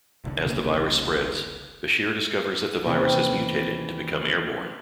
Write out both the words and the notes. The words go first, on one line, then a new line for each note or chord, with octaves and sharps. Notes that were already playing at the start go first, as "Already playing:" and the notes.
As the virus spreads, Bashir discovers that the virus has mutated to become airborne.
F1 C2 D3
C#3 A#3
D#2 C3 E3 C#4 C5 G5